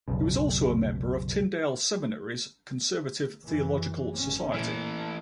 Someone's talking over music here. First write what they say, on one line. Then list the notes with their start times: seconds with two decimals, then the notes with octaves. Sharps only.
He was also a member of Tyndale Seminary's Conservative Theological Society.
0.08 F1 B1 C#3
3.42 F#2 E3
4.15 G#1 C#4
4.54 A#2 E3 A3